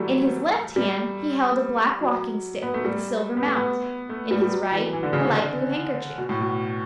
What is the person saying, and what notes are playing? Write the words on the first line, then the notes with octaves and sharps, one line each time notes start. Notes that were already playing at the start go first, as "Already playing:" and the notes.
In his left hand he held a black walking-stick with a silver mount, in his right a light blue handkerchief.
Already playing: E3 F#3 G3 A3
G3
F#3
B3
A3
G3
B3
A3
B3
A3
G3
G3
F#3
E3
E3
D3
C#3
D3
B2
A2
B2